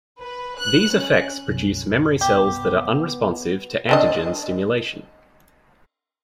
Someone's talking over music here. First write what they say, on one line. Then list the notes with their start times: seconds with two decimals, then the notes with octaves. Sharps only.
These effects produce memory cells that are unresponsive to antigen stimulation.
0.22 B4
0.58 F#6
0.96 C#4
1.48 C2 F#2 B2
2.21 B3 G4
3.89 C4 D4 D#5